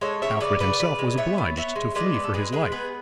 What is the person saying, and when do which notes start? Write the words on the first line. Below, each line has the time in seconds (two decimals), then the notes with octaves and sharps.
Alfred himself was obliged to flee for his life.
0.01 G#3 A4 C#5
0.22 C#3 C#5 E5
0.40 C#3 B4 D5
0.60 C#3 B4 D5
0.79 C#3 B4 D5
0.99 G#3
1.17 B3 C#5 E5
1.38 B3
1.57 B3 C#5 E5
1.76 G#3
1.95 G#3 B4 D5
2.14 B3
2.24 A4
2.34 G#3 G#4 B4
2.52 G#3 G#4 B4
2.72 B3 G#4 B4